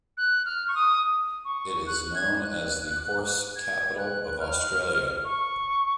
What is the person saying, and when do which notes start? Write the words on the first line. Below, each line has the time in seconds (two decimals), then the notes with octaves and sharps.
It is known as the 'Horse capital of Australia'.
0.17 F#6
0.45 F6
0.68 C#6
0.75 D#6
1.45 C#6
1.86 F#6
2.15 G#6
2.43 F#6
3.56 G#6
3.98 F#6
4.40 F6
5.24 C#6